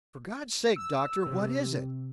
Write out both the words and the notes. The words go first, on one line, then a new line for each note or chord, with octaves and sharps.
"For God's sake, Doctor, what is it?"
E6
C3